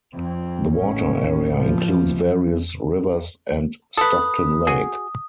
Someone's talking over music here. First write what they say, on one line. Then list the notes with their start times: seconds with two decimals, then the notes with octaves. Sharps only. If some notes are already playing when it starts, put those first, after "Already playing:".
The water area includes various rivers and Stockton Lake.
0.14 F2 C4
0.75 A1 C#4
1.53 E3 F3
3.97 A4 B4 D#6
4.67 F#4 G#4